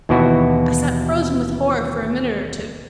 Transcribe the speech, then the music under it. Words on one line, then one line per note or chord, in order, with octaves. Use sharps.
I sat frozen with horror for a minute or two.
D#2 B2 E3 E4 F#4